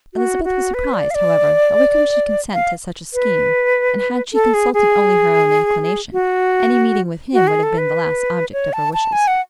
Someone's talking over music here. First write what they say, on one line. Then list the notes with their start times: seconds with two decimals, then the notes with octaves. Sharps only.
Elizabeth was surprised, however, that Wickham should consent to such a scheme, and had she consulted only her own inclination, any meeting with him would have been the last object of her wishes.
0.14 F#4
0.44 F#4
0.74 B4
0.94 D5
1.11 F5
1.15 D5
2.53 F5
3.14 B4
4.33 A4
4.54 G#4
4.74 G#4
6.13 F#4
7.33 F#4
7.47 G#4
7.63 A4
7.78 B4
8.53 C#5
8.73 A5
8.93 A5
9.13 G#5
9.28 F#5